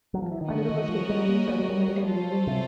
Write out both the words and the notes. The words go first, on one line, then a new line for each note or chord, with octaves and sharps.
Another was taken away suddenly by a terrible wind.
F#3
F3
E3
D#3
D3 C#4 F#4 A#4 D#5
D#3
F3
G#3
A#3
A#3
G#3
G3
G3
C#4 F4 A4 C5
C3